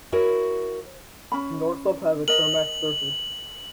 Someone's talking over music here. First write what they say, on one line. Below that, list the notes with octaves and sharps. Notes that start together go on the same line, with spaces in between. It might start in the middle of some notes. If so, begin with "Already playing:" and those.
Norsup has a tarmac surface.
E4 F#4 A#4 C#5
C#4 B5
A#4 D#5 F#7